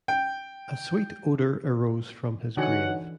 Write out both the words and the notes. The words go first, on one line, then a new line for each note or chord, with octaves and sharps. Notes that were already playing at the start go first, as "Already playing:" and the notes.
A sweet odor arose from his grave.
G5
D3 E3 D4 D#4 F#4 C#5 F#5 G#5